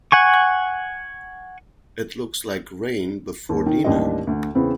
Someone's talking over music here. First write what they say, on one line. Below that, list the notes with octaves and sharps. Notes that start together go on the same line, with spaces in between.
It looks like rain before dinner.
F#5 G#5 C#6
D#2
D#3
A1 D#2 G3 D4 G4 D#5
D2
E2 C#3 B3 C4